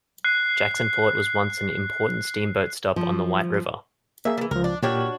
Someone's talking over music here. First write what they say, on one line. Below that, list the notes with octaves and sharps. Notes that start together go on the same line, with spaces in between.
Jacksonport was once an important steamboat stop on the White River.
F#6 C7
F3
A#3 G#4 E5
E3 G3
C#2 F3 A#4
D4
A#2 D4 F#4 G4 C#5 F6